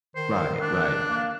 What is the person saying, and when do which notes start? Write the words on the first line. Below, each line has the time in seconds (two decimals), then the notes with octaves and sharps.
Right, right.
0.16 D#3 C5
0.60 D4 F#6
1.09 A#3